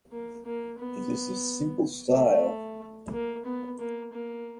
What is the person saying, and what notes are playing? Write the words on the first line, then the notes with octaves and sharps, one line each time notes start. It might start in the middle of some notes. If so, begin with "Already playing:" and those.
It is a simple style.
A#3
A#3
B3
A3
A#3
B3
A#3
A#3